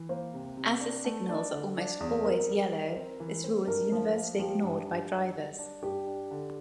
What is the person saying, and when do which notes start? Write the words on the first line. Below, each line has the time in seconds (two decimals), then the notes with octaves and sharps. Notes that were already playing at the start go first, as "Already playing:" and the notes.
As the signals are almost always yellow, this rule is universally ignored by drivers.
Already playing: E3
0.09 A#3 C5
0.34 C3
0.57 C3
0.81 D4
1.05 A3
1.29 D4
1.53 D3
1.77 D4
2.00 E2
2.25 C4 A#4
2.49 G3
2.72 G3
2.96 C4
3.20 E3
3.44 C4
3.68 G2 A#4
3.92 F3
4.15 A#3
4.39 F3 G4
4.63 G2
4.88 G2
5.11 G3
5.35 G3
5.59 D4
5.83 G2 G4
6.07 D4
6.31 D3